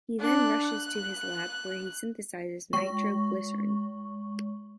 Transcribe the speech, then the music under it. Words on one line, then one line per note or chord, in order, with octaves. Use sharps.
He then rushes to his lab, where he synthesizes nitroglycerin.
D4 F#6
F#6
G#3 C#6